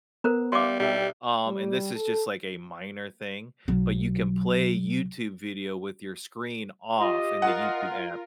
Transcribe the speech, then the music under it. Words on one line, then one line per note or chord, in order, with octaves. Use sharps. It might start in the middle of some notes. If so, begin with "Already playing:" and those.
um, and this is just, like, a minor thing, but you can play YouTube video with your screen off in the YouTube app.
B3 A#4 C5 A#5
G3 E5 F5 C6 D6
B1 G3 G4 E5
G3
A4
B1 F#3
F4 G4 D#5
F4 A#4 F#5